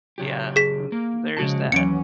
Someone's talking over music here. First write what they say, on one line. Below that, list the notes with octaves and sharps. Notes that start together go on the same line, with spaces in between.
Yeah, hmm, there's that.
C#3 F#3 G4
G#4 B6
A#3
C#3 F3 G#3 F#4 A5
D#2 E3 F#3 B3 C#4 C#7 D7